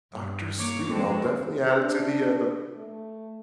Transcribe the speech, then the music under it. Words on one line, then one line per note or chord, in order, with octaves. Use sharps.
Doctor Sleep, I'll definitely add it to the, uh, the
G2
A#3 C#5 D6
F2 D3 G#3 C4 F#4 A5
D4
A3